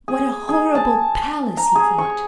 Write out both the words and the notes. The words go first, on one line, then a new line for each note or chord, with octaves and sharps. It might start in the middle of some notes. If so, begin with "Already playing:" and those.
What a horrible palace! he thought.
G#4
G#4
A5
A#5
G#4
C#6